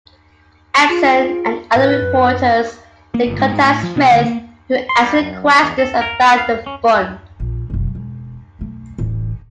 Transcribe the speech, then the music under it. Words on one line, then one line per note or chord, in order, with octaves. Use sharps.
Edson, and other reporters, did contact Smith, who answered questions about the Fund.
F4 G#4 D7
A2 B4 A6
F#2
A#3
G1
G#2
G#2
A2
F3
B2
D2
A#3
C6
G3
F#2
E2
A4
A#4
F5
C#4
A#1
F1 B1
E1
B1 A3
D1 A1